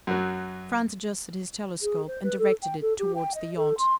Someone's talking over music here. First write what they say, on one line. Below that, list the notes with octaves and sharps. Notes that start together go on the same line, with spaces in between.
Franz adjusted his telescope, and directed it towards the yacht.
F#2 F#3
G#4
C5
B4
A4
G5
A4
G4
G5
D#5
A4
C6